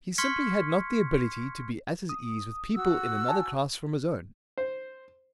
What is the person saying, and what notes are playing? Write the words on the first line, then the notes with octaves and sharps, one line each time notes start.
He simply had not the ability to be at his ease with people in another class from his own.
C6 C#6 F6 G#6 B6 C#7
D#6
F#4 E6
G#5 A5
C5